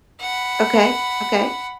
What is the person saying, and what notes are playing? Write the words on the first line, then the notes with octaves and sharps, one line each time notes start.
Okay, okay.
F#5 B5